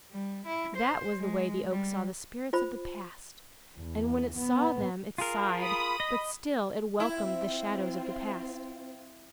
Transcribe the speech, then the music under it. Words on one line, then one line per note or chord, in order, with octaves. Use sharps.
That was the way the oak saw the spirits of the Past, and when it saw them it sighed; but still it welcomed the shadows of the Past.
G3
E4
C5
G#3
G3
F4 C5 B5
E2
B3
F4 G#4 A#4
B5 D#6
D#5
C4 E4 F4